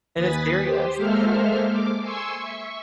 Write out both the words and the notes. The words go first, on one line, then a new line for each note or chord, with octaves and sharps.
And it's serious Yeah.
D#2 B4 G#5 D#6 A6 B6
G4 C5
G#3 A#3 A4 C5 E5 F6
D6
G#5 C6 C#6 E6
E5 C#6